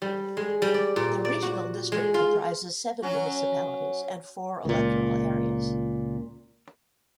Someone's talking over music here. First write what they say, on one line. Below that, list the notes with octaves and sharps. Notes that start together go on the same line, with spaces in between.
The regional district comprises seven municipalities and four electoral areas.
G3
G#3
G3
D5
A#2
D5
F#4
G#3
F4
F#3 C#4 F#4
C#2 A#2